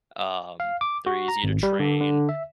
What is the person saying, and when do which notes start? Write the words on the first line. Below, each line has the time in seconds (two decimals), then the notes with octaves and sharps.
Um, they're easy to train,
0.60 F5
0.81 D6
1.06 F#4
1.28 A#5
1.44 G#1
1.63 G3
1.80 D3
2.01 D3
2.29 E5